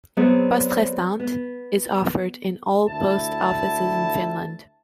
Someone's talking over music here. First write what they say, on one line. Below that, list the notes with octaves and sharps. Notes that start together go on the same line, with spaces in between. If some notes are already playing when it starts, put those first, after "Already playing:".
"Poste restante" is offered in all post offices in Finland.
F#3 B3 C4 G#4 C5 D5
B3
D2 E4 A5